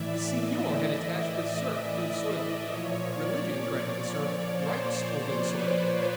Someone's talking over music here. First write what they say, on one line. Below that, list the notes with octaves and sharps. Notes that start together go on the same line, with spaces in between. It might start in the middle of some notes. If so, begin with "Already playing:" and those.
The seignior had attached the serf to the soil; religion granted the serf rights over the soil.
Already playing: A2 E3 D5 E5
D#5
A#2 F3 C#5
D5
C#5
C#5
C5
B4